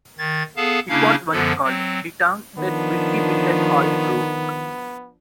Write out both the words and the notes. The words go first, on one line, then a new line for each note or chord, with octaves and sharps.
It was once called ...the town that whisky built and oil broke.
D#3 G#6 A6
B3 G#4 A4 F5 A5
C#3 A#3 C#4 D4 E4 F5
F#2 D3 F3 B3 A4
F#3 C4
D#3 F3 B3 D4